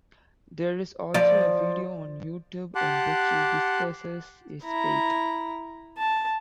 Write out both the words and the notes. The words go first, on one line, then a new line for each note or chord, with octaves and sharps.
There is also a video on YouTube in which he discusses his faith.
F3 D5
G4 F#5 A5 C6 D6 F#6
E4 A#5
A5